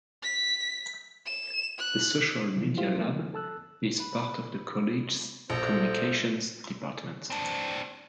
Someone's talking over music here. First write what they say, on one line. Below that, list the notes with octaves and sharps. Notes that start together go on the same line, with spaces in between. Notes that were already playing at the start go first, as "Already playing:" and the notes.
The Social Media Lab, is part of the College's Communications Department.
B6
E7
F#6
C3 E3 F3
E4 F4 G4 C5 F5 C6
F3 A3 A#3 C4
A4 A5 E6 F#6
B4
A#1 A4 C5
C4 D4